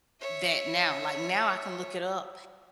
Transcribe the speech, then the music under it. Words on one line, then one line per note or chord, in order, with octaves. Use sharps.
that now. Like, now I can look it up
C#5 E5